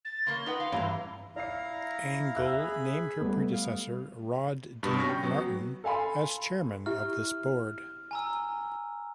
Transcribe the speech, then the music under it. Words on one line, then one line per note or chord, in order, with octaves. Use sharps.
Angle named her predecessor, Rod D. Martin, as chairman of this board.
A6
C#3 A#3 C6
D#4 B4 F#5
F5
G2 E3 E4 F5 A#5
E4 D5 F5 A#5 C7
E5 E6 F#6
G#4 B5
G3 A3 B3
F5
G2 B2
C#4 C#6 A#6
G5
F#3 B3 F#4
A4 F5 G#5 B5 C6
E4 G4 E5 F6
G#5 A#5 E6